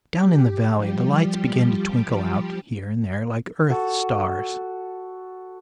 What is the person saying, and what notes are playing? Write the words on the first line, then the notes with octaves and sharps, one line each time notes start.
Down in the valley the lights began to twinkle out here and there like earth-stars.
G4
F3 G3 G4
F#4 A4